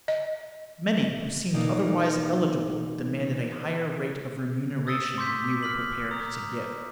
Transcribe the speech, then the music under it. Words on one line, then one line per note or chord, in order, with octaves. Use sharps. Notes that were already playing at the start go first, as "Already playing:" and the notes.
Many, who seemed otherwise eligible, demanded a higher rate of remuneration than we were prepared to give.
D#5
B2 E3 A#3 D#4 D5
D#6 E6 A6 G7
C6 D6 G6 B6
F6 B6 F#7
A#5 D#6